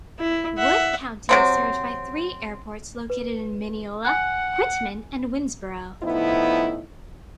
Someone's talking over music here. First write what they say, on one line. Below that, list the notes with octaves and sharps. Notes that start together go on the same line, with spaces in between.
Wood County is served by three airports located in Mineola, Quitman, and Winnsboro.
E4
E5 F#5
C3 F#3 C4
B4
F#5 G#5 F#6
A2 F3 B3 D#4 E4